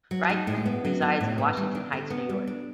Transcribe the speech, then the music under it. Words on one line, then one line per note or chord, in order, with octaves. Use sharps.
Reichman resides in Washington Heights, New York.
F#3
D#4
A2
B3
F#3
D#4
A2
B3
G3
D4
D3
B3
G3
D4